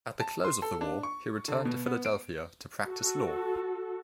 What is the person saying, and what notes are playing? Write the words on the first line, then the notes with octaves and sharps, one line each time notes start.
At the close of the war, he returned to Philadelphia to practice law.
A5
C6
A4
D4
C#6
D3
B2
B3
D7
F#4 A4